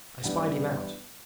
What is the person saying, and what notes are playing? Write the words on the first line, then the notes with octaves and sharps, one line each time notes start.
I spied him out! ...
G2 E3 G3 B3 F#5